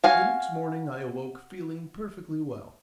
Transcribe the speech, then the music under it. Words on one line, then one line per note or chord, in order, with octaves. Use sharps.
The next morning I awoke feeling perfectly well.
F#4 F5 G#5